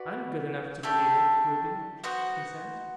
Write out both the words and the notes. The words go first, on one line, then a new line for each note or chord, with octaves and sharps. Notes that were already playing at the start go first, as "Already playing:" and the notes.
"I'm good enough to believe it, Ruby," he said.
Already playing: F#4 B4 D5
A3 D4 G4
B3 F#4 C5 F#5